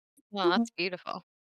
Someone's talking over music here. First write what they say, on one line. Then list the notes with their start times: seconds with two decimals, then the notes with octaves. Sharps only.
Well, that's beautiful.
0.44 F4
0.55 A#3